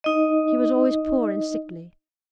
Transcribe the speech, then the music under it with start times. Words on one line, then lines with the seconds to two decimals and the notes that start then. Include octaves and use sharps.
He was always poor and sickly.
0.04 D#4 D#5